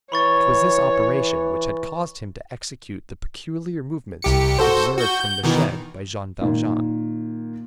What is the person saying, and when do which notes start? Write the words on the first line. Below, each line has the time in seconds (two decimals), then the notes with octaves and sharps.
It was this operation which had caused him to execute the peculiar movements observed from the shed by Jean Valjean.
0.12 E3 C#5 B5 C#6 A6
4.22 C2 G4 C#7
4.59 F#4 A4 C5
4.98 F#4 G6
5.20 G6
5.43 B2 D#3 E3
6.42 A#2 D#3